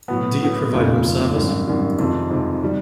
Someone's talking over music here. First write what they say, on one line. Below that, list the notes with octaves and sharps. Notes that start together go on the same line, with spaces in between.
Do you provide room service?
A2 F#3 B3
A2 F#3 B3
F1 D#2 C#3 F3
F1 D#2 C#3 F3
G#1 F#2 D#3 G3
G#1 F#2 D#3 G3
F2 C3 D#3 G#3
F2 C3 D#3 G#3
D#3 G3